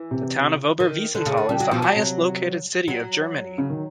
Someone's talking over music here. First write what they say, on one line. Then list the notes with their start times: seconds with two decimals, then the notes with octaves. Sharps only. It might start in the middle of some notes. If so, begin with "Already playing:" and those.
The town of Oberwiesenthal is the highest located city of Germany.
Already playing: E3
0.11 C3
0.80 D#3
1.15 D3
1.26 C#3
1.37 D3
1.49 C#3 G3
1.60 F#3
1.71 B2 F3
1.82 F#3
1.96 C3
2.88 F#3
3.58 C#3
3.70 D#3